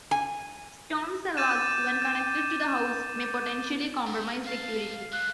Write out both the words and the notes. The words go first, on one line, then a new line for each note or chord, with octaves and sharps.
Storm cellars, when connected to the house, may potentially compromise security.
G#5
D6 G6 A6 D#7 E7
G2
G#2 F5 A5
D#3 A3 F#6